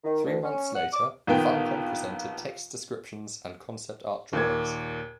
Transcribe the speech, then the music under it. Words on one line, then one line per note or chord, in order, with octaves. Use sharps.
Three months later, Funcom presented text descriptions and concept art drawings.
D#3
D2
C#4
F#5
D6
A#1 D#3 B3 G5
D#2 A#2 G#6